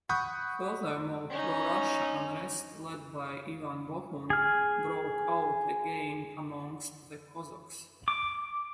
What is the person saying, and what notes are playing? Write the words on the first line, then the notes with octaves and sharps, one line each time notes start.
Furthermore, pro-Russia unrest led by Ivan Bohun broke out again amongst the Cossacks.
F#5 B5 C#6 D#6 F#6 G6
C#4 D#4
G#4 F6
D6